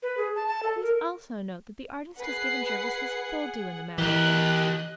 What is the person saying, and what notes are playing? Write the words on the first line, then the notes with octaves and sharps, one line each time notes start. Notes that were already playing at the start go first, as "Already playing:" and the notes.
Please also note that the artist has given Jervis his full due in the matter of legs.
B4
G#4
A5
A5
A4
A#4
G#4 B4 F#5 C7
E3 G4 A#4 D#5 F#6